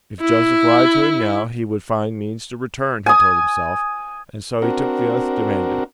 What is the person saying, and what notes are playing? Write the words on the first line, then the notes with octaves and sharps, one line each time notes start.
If Joseph lied to him now, he would find means to return, he told himself, and so he took the oath demanded.
E4
G#5 D#6
C4 D4 F#4 A#4